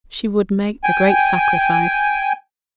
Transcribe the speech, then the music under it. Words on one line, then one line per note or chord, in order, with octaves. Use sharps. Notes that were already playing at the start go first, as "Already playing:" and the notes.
She would make the great sacrifice.
G5 G#5